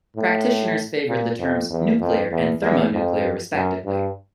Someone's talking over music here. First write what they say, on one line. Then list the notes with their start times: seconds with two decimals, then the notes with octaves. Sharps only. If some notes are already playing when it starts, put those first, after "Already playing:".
Practitioners favored the terms nuclear and thermonuclear, respectively.
0.16 A2
1.08 A#2
1.39 F2
1.70 E2
2.00 F2
2.31 E2
2.62 E2
2.92 F2
3.53 F#2
3.85 G2